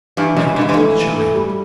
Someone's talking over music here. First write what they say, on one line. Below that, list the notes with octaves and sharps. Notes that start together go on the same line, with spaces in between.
"My little child!"
G2 E3
F#2 G#3
G2 E3
G2
A3
E3
A3
G3